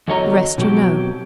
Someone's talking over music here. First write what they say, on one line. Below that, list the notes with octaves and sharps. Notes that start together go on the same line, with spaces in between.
The rest you know.
E2 D3 F#3 C#5 D#5 A#5
B2 F#3 C4 G4